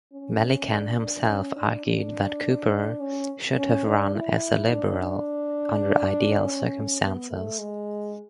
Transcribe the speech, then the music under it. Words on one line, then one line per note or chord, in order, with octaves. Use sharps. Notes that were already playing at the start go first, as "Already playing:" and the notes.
Milliken himself argued that Cooper "should have run as a Liberal" under ideal circumstances.
C#4
D4
D4
C#4
D4
D4
C#4
C#4
D4
E4
D4
D4
C#4
B3
A3
G#3